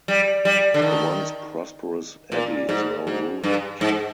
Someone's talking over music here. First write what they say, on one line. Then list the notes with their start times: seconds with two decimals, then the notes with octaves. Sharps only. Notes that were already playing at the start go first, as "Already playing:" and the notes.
The once prosperous abbey is now ruined.
0.08 G3
0.45 G3
0.74 D3
0.82 D#3
2.32 A#2
2.69 G#2
3.07 G#2
3.43 G2
3.81 G#2